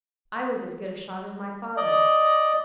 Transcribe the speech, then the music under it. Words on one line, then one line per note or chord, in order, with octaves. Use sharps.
"I was as good a shot as my father."
D5 D#5